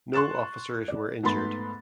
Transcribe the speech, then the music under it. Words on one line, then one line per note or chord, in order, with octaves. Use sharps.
No officers were injured.
C6 C#6 F#6 A6 E7
D5
G#2 A3 B3 B5 C6 A6